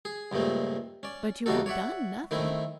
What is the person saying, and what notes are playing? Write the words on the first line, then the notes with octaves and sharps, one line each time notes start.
'But you have done nothing.'
G#4
C#2 G2 A#2 A3 C4
C#4 D5
E2 C#3 G3 D#4 F#4 A4
C#5 D5 E5 F#5
D#3 A3 C4 E4